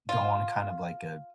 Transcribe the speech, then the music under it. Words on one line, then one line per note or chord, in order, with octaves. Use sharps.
go on kind of like a
F4